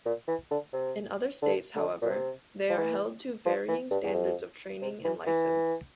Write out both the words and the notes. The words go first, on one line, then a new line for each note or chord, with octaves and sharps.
In other states, however, they are held to varying standards of training and license.
A#2
E3
D3
C3
D3
D3
A#2
C3
F3
E3
F3
E3
G2
E2
F2
C3
E3
E3